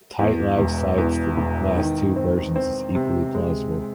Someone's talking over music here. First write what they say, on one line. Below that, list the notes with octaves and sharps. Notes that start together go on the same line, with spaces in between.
Tite-Live cites the last two versions as equally plausible.
E2
E1
E2
E1
D#3
C4
C4
C3
G#3